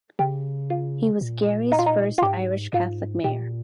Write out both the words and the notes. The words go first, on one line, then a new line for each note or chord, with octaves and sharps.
He was Gary's first Irish Catholic mayor.
C#3 G4
F4
A#2
D#4
F4
D#4
F4
G#2 G4
G#2 F4
A#2 G4